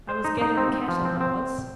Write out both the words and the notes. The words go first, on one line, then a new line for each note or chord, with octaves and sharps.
I was gatherin' cattle, I was.
C5
D#4
D#4
C4
C4
F3
C4
C4